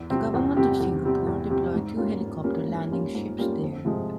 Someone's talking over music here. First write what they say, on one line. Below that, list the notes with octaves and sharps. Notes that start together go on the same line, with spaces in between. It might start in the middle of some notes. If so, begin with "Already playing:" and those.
The government of Singapore deployed two helicopter landing ships there.
Already playing: E2
C3 G3 C4 G4
E2
C3 G3 C4 G4
E2
C3 G3 C4 G4
E2
C3 G3 C4 G4
G#2
G3 A#3 C#4 F4
G#2
G3 A#3 C#4 F4
G#2
G3 A#3 C#4 F4
G#2
G3 A#3 C#4 F4
F2
C3 F3 G#3